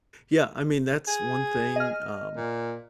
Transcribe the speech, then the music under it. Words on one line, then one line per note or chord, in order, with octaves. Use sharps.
Yeah, I mean, that's one thing, um,
G#4
D#5 F6
A#2